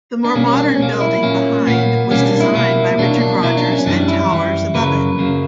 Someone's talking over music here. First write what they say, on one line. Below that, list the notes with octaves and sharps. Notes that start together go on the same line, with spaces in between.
The more modern building behind was designed by Richard Rogers and towers above it.
D4
B2 G3 A#3 C#4
C#4
D4
C#4
B2 G3 A#3
E4
A#2 A#3 C#4
A#2 A#3 B3
B2 G3 A#3 C#4
D4
E4
B2 G3 A#3
B2 F#3 A#3 D4
D4
B2 F#3 A#3 E4
D4
C#4
F#2 E3 G3 D4
E4
F#2 E3 G3
F#2 C#3 F#3 A#3 B4
F#2 C#3 F#3 A#3